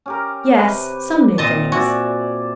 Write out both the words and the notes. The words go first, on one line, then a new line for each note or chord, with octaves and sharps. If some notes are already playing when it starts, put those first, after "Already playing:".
'Yes, some new things.
C#4 G4 A#4
C3 B4
A#2 C4 D#5 A5
F#4 D5 E5 G#5